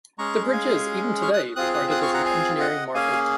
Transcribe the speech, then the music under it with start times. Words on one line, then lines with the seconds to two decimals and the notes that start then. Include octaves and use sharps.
The bridge is, even today, regarded as an engineering marvel.
0.18 G#3 C#4 G#4 A#5 C#6
0.53 F5 G#5
1.22 C#6 F6
1.34 D#6 F#6
1.56 C4 F4 G#4 D#6 F#6
1.74 D#6 F#6
1.91 D#6 F#6
2.03 C#6 F6
2.14 F#5 A#5
2.25 F5 G#5
2.60 D#5 F#5
2.95 A#3 C#4 G#4 F5 G#5